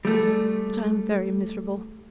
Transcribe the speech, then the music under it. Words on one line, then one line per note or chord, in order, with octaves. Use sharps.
But I am very miserable!
G3 A3